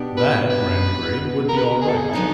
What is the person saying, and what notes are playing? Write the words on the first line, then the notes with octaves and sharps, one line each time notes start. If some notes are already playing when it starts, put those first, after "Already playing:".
That, Rand agreed, would be all right.
Already playing: B2 B3 D4 G4
B4
B4
A#4
B4
A#4
G#4
A4
G#4
E4
D3 F#3 B3 D4 D#4